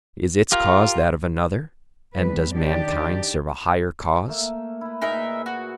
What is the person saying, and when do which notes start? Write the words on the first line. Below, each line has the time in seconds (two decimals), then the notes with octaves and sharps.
Is its cause that of another, and does mankind serve a higher cause?
0.52 F4 G4 A#4 F5
2.14 E2 G3 B4
2.53 D#3 D4 G4 D5
4.28 A3 A#3 E5
4.81 E4 B4
5.01 A#2 D#4 G#4 A#4 B4 E5
5.46 F#4